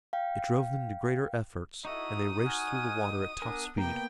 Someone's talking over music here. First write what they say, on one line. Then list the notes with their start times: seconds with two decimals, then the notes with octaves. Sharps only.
It drove them to greater efforts, and they raced through the water at top speed.
0.13 F5 G5
1.85 D#4 E4 F#4 A4 D#5 E5 D#6
2.44 F#5 G#5 F6
3.42 B3 D4 A#4 G#5
3.78 C3 A#3 B3 G5 A#5